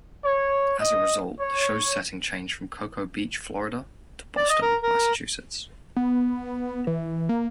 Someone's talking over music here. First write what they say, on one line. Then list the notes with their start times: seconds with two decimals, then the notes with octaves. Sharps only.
As a result, the show's setting changed from Cocoa Beach, Florida to Boston, Massachusetts.
0.25 C#5
0.80 D#5
1.40 C#5
4.37 D5
4.50 D#5
4.62 A#4
4.82 A#4
5.96 B3
6.87 E3
7.29 A#3